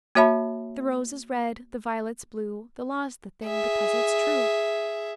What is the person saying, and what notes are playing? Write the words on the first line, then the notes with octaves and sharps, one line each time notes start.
"The rose is red, the violet's blue, The law's the thing, because it's true!"
A#3 F#4 C#5 E5 A5 B5
G#4 E5